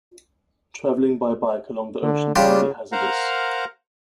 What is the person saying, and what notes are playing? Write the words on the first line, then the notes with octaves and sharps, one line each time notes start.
Traveling by bike along the ocean can be hazardous.
D3
C#3 G3 D4 F4 G4
A#4 C5 F5 F#5 A#5